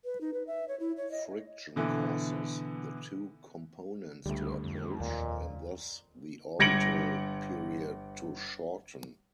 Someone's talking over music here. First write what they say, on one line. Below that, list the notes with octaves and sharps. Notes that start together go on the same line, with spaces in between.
Friction causes the two components to approach, and thus the orbital period to shorten.
B4
D#4
B4
E5
C#5
E4
C#5
D#5
B2 D3 E3
C#2 D3 G3 A3
F2
D#2 A#2
G1 G#6 A#6 C#7 D7 F#7